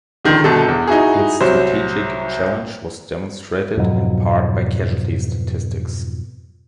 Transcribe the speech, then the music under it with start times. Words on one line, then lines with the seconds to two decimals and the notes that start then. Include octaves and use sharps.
Its strategic challenge was demonstrated, in part, by casualty statistics.
0.25 C#2 A#2 D3 D#3 F3
0.44 G1 B2 A4
0.68 E2
0.88 D#4 E4 F#4 G#4
1.41 C2 F#3 C5
3.77 F2 G#2 B2 F#3